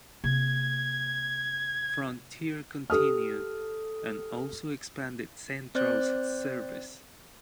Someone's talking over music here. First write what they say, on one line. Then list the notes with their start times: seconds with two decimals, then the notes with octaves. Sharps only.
Frontier continued and also expanded Central's service.
0.24 C3 A#3 G#6
2.90 G4 A4 D#6 F6
5.75 C4 C5 D5 F#6